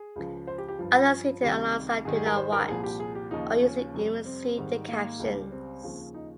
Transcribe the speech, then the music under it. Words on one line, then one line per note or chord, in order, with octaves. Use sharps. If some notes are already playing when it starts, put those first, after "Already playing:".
Others seated alongside do not watch, or usually even see, the captions.
Already playing: G#4
C#2 C#3 F3
C5
G4
G4
G2 F3
C#2 C3 D#3 G3 G4
G#2 D#3 G3 G#4
G#4
A#4
C5
A#4
C2 A#2 F3 G#4
G4
G#4
G4
D#2 C#3 F3 D#4
C#4
F2 C3 G3
C4
G#2 D#3 G3
A#3
C#2 C#3 G3
C4
D#2 C#3 F3
D#4